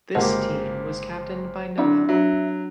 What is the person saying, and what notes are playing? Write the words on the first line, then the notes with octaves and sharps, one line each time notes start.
This team was captained by Noah.
G1 C#2 A#3 G4 C5 D#5 F#5 A5
F#2 C4 D4 E4 D5
F#3 D4 E5